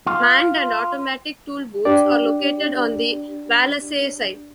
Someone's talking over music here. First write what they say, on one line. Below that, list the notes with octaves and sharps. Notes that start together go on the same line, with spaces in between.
Manned and automatic tollbooths are located on the Wallasey side.
F4
D4 G4 D5